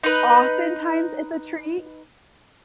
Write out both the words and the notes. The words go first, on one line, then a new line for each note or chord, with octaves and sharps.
oftentimes, it's a treat,
D#4 B4